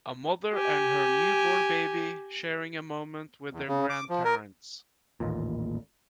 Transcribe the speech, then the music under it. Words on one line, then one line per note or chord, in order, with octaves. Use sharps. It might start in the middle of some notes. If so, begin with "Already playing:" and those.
A mother and her newborn baby sharing a moment with their grandparents.
G4 G#5
E2
C#3
D6
F3
A#4
A1 D#2 A#2